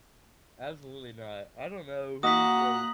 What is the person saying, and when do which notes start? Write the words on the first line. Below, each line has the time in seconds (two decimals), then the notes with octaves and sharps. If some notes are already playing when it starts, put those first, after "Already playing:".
Absolutely not. I don't know who, like
2.23 A#3 F#4 D#5 A#5 D#6 F#6 A#6 B6